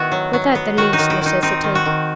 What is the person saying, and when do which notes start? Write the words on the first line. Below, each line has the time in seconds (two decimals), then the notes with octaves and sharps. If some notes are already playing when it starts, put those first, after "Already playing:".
"Without the least necessity."
Already playing: D#3 B3 E4 F#4
0.12 F#3
0.33 F#3
0.55 B3
0.77 D#3 F#4
0.93 D#4
0.98 D#3
1.10 E4
1.21 D#3 D#4
1.42 C4 D#4
1.64 D#3
1.75 F#4
1.85 D#3